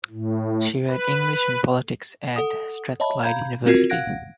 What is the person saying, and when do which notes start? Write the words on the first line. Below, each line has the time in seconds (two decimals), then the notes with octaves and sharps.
She read English and Politics at Strathclyde University.
0.11 A2
0.88 B4
2.36 A4 F#5 D#6
3.00 C#5 D#5 E5 A5 B5
3.23 F5 A#5 B5 G6 G#6
3.66 C4 F4 F#4 A#4 G#6 C7
3.90 F5 F#5 F#6 G#6 A#6 D7